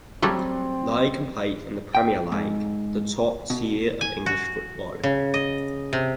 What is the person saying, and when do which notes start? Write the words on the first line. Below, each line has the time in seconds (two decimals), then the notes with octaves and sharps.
They compete in the Premier League, the top tier of English football.
0.22 F#3 G3 A3 C4
1.95 G5
2.32 G#2
3.50 B2
4.01 G#5
4.26 F#4
5.03 C#3
5.34 D#5
5.93 C3